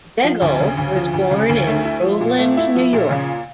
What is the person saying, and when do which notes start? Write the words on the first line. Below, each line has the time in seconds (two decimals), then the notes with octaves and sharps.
Begole was born in Groveland, New York.
0.24 F3
0.42 D2
0.60 C#3
0.77 D2
0.96 F3
1.14 D2
1.31 C#3
1.49 D2
1.67 A3
1.85 E4
2.03 F3
2.20 A#2
2.39 A3
2.57 E4
2.75 F3
2.93 A#2
3.10 C#3